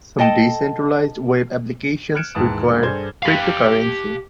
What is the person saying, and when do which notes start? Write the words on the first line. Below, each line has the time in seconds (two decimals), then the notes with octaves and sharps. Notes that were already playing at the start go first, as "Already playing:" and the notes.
Some decentralized web applications require cryptocurrency.
0.19 A4 D#5 G5 A5
2.15 F6 F#6 G#6 C#7 D7 E7
2.35 D#2 G#2 E3 A5 D#6
2.68 G#2 B2 D3 G3
2.83 G2 G#4 A4 C5 G#6
3.22 G4 F5